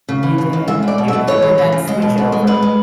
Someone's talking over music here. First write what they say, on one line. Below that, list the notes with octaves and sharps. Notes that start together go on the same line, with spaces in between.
You did? You w You were that switchover,
C#3
E3
C#3
C#3
G#3 E5
B2
D5
B2
E5
B2
E3 C#5
E3
E3
C#3
G#3
B2
B2
G#3
G#3 B4
G#3